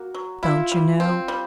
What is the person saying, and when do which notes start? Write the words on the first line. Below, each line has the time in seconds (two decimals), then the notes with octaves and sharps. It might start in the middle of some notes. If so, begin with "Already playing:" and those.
Don't you know?'
Already playing: A#3 F#4
0.14 F#3
0.43 E4 F4
0.72 G3
1.00 C4
1.28 G3